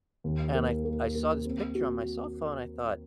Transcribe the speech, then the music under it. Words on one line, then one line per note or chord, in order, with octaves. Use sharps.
And I I saw this picture on my cell phone. I thought,
D#2
A#3
A#3
A#3
C4
F#4